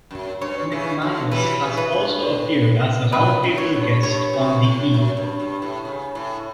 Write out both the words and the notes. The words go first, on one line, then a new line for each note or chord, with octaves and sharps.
McManus has also appeared as a 'Round table' guest on the E!
F#2
G2 C#5
C#3 E3
D3 F#3
E3 G3 B4
C#3 E3
B4
G2
A2
F#2 B4
F#2
C#5
G2
G2 C#5
B2
A2
F#2
G2
G2
A2
C#3
A2